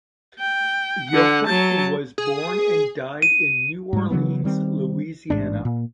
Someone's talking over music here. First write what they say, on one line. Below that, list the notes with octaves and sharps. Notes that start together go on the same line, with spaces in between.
Yochim was born and died in New Orleans, Louisiana.
G5
D3 F#5
F#3 A5
G#4
D#7
G#2 G3
C#3 E3 F#3 B3
D#3 G3 C4
A1 G#2 B2 D4
A#2